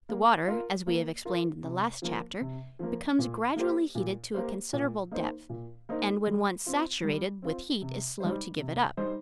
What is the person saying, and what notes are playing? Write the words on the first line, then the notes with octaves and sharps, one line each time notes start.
The water, as we have explained in the last chapter, becomes gradually heated to a considerable depth, and when once saturated with heat is slow to give it up.
A#3
F4 A#4
A#3
F4 A#4
C3
F3 A#3
C3
F3 A#3
A#2
A#3 G4 C5
A#2
A#3 G4 C5
A#2
A#3 D#4 C5
A#2
A#3 D#4 C5
G3
C4 F4
G3
C4 F4
C3
G3 D#4 C5
C3
G3 D#4 C5